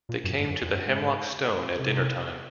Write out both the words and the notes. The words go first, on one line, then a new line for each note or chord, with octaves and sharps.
They came to the Hemlock Stone at dinner-time.
A#2
F#2
G#2
F#2
F2
F#2
G#2
C3